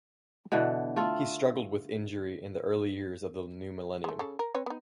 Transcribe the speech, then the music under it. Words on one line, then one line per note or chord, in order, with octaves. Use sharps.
He struggled with injury in the early years of the new millennium.
B2 D3 E3 F#5
A3 F4 A4
G#3 A3
C#3 A4
A#4
C4 B4 C#5
B3 D#4